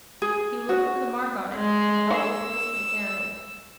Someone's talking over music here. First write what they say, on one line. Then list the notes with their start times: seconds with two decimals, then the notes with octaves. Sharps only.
He looked for the mark on it, and held it close to the candle.
0.22 G#4
0.69 F#4
1.56 G#3
2.16 E6